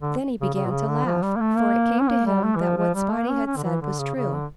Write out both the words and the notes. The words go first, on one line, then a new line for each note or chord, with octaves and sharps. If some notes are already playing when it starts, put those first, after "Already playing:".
Then he began to laugh, for it came to him that what Spotty had said was true.
D3
C#3
C#3
A#2
C#3
D3
F3
G3
A#3
A3
A#3
C#4
A#3
G3
A3
E3
F3
F3
G3
A#3
C#4
C#4
D3
E3
D3
C#3
C#3
D3